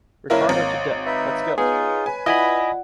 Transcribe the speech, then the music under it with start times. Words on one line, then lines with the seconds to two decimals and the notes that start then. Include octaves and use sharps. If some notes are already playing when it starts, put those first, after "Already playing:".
Ricardo to deck, let’s go!
0.30 F#1 A#3 E4 A#4 C#5 D#5
0.49 G#1
1.06 D#4 B4 E5
1.58 B3 D#4 F4 G#4
2.06 B4 G#5
2.26 E4 F4 D5 D#5 F#5 G#5 B5